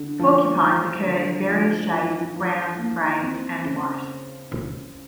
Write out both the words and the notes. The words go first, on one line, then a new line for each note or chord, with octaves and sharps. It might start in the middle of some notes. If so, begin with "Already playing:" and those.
Porcupines occur in various shades of brown, gray, and white.
Already playing: D3
F3
F3
D3
F3
F3
F3
A#3
C4
C#3